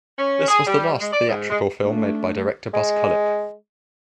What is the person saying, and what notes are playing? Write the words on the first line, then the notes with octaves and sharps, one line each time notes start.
This was the last theatrical film made by director Buzz Kulik.
C#4
G#4
G3
G#3
D5
G#2
G#3
A3 D4
G#3